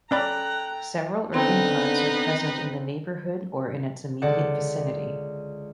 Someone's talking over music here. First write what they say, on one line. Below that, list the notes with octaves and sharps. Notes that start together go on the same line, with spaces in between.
Several urban parks are present in the neighborhood or in its immediate vicinity.
C#4 A4 D5 G5 A#5 B5 F#6
D3 B3 C4 D#4 B4
C#2 D3 D5 F#5 E7